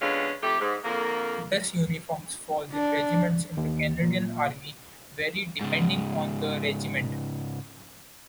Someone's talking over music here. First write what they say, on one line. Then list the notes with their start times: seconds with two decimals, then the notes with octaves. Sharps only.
Dress uniforms for regiments in the Canadian Army vary depending on the regiment.
0.01 D3 G#3 B3 C#4 F4
0.43 F2 A3 G4
0.60 G#2
0.84 F2 D3 A#3
2.72 D4
3.57 D#2
4.02 A#2
5.61 G#2 C#3